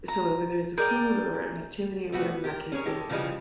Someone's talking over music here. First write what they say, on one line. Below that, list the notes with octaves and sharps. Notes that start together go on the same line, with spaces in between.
So, wh whether it's a food or an activity or whatever that case is,
A#5
G#4 A#4 D5 G5 G6
G3 A3 B3 F#4
G4 A#4
C#4 G#4 A#4 C#5
G#3 G4 A4
C#3 E3 F3 G3 G#3